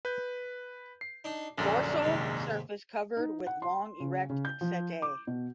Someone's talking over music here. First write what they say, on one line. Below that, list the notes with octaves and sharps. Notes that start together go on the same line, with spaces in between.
Dorsal surface covered with long erect setae.
B4 G6
C7
D4 D#4
A#1 F#2 D3
D#2 G#2 C3
D#4
F#5
C6
C#3
C#3
G6
F3
D6
B2